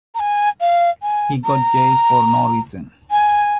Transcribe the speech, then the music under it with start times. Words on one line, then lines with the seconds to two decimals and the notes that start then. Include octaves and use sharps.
He got jailed for no reason.
0.15 A#5
0.20 G#5
0.61 F5
1.02 G#5
1.44 A#5
3.11 G#5